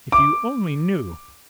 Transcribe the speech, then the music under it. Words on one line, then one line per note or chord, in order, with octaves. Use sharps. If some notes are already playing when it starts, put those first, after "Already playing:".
If you only knew!
D6